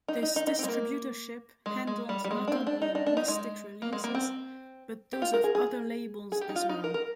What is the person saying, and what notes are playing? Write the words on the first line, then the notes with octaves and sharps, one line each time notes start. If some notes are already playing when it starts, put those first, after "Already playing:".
This distributorship handled not only Mystic releases but those of other labels as well.
D#4
D#4
D#4
D#4
C4
G#3
A#3
G#3
G#3
G3
G3
G#3
D4
C4
D4
D#4
D4
D4
D#4
G#3
A#3
G#3
A#3
C4
G4
F4
A#4
G#4
G#4
G#4
G4
D#4
F4
D#4
A#4
A#4